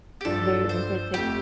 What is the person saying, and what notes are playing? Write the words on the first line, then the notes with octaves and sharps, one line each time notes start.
very unpretic
G4
G2 F3 D4 A4
C5
F2 F3 A3 G4